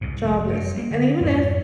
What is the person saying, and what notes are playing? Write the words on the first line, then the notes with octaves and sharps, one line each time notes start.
job listing. And even if
C2 G#2
F1
F#2 G3
A#3
D3
F2 G#2 F3